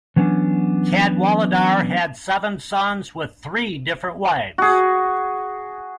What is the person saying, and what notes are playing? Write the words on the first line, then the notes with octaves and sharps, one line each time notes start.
Cadwaladr had seven sons with three different wives.
E3 F#3 B3 C#4 D4
F#4 G#4